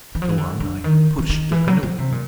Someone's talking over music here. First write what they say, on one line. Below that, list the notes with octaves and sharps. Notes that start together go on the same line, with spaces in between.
Tuan, I pushed the canoe!
E3
F3
E3
D3
D3
D#3
E3
D#3
E3
F#3
F3
C3
A#2